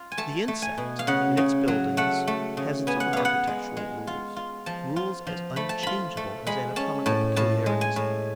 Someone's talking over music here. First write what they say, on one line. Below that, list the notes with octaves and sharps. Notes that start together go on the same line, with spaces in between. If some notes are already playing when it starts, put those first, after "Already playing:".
The insect, in its buildings, has its own architectural rules, rules as unchangeable as anatomical peculiarities.
Already playing: F4
G#5
A3 A5
A3
G#5
B2
F5
C#3 F#5
C#3
F#3
A3 F#5
A3
C#3
B3 G#5
F#5
B3 F5
F#5
G#3
G#3
F4
F4
F3 A5
F4
F3
A3 B5
A5
F4 B5
A3
G#3 B5
C#4 A5
A2 A5
A2 A5
G#3
G#5
A2